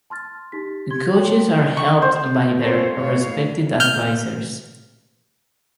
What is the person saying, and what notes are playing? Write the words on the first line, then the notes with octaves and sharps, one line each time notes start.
Coaches are helped by their respective advisers.
A5 C6 F6 A6
D#4 G4 B6
G4 C6 G#6 G7
A4 C#5 G5 A5 C6 F#7
C#6
C5
C4 F4 A4 C5 C#5
A2 C#5 F5
F6 G6